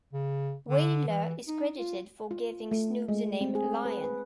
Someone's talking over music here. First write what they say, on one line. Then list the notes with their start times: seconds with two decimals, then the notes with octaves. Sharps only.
Wailer is credited for giving Snoop the name "Lion".
0.13 C#3
0.68 D3
1.08 E3
1.47 D#4
1.78 F4
2.31 F4
2.71 A3
3.08 G#3
3.41 C4
3.55 G#4
3.85 B4
4.04 B4